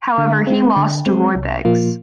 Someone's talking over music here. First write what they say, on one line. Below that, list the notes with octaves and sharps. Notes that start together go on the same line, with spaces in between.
However he lost to Roy Beggs.
D3
G#3 C4
D3
G#3 C4
C2
A#2 F3 A#3 F4